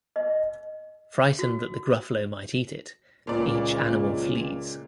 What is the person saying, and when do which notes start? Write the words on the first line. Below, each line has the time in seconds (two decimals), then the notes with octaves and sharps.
Frightened that the gruffalo might eat it, each animal flees.
0.16 D#5
1.39 F#4
3.27 C#2 A#2 D5